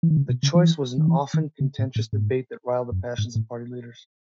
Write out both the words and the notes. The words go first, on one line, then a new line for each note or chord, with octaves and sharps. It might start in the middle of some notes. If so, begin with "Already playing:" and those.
The choice was an often contentious debate that riled the passions of party leaders.
E3
D#3
C#3
B2
C#3
E3
D#3
E3
D#3
C#3
A2
A2
G#2
F#2
G#2
A2